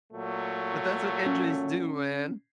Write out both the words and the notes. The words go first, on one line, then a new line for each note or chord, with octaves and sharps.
But that's what injuries do, man.
A#2 F#3 A3
C#4